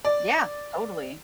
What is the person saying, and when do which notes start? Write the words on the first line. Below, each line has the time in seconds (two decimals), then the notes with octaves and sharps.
Yeah, totally.
0.05 D5